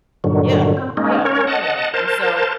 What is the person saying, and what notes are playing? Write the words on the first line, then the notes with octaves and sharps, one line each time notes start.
Yeah, yeah, you know? And so,
G2 A#2 D3 D#3 F#3
C4
G#3 A#3 C#4 D#4
C#4 A#4 C#5
D#5 F#5 A5
A#4 C5 A5